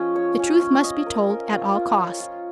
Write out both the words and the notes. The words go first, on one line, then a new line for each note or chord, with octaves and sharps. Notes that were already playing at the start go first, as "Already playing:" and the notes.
The truth must be told at all costs.
Already playing: F3 C#4 G#4 D#5
C#5
C#4
C#4
D#5
A#4
A#4
F4
F4
C#5
F4